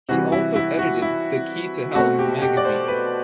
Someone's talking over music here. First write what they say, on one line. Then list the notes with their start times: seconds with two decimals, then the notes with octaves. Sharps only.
He also edited "The Key to Health" magazine.
0.09 C3 E3 G3 F#4
0.32 E4
0.56 E4
0.79 F#4
1.02 E4
1.95 B2 A3 C4 F#4
2.19 G4
2.42 G4
2.57 D5
2.65 C5
2.88 B4